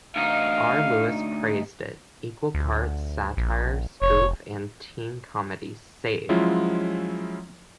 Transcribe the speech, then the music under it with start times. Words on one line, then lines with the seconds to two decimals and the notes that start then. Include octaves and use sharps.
R Lewis praised it: "Equal parts satire, spoof and teen comedy, "Saved!
0.16 D2 D#4 F5
2.55 D2
3.37 A#1
4.02 F1 C#5
6.29 F3 F#3 G#3 C#4 E4 F4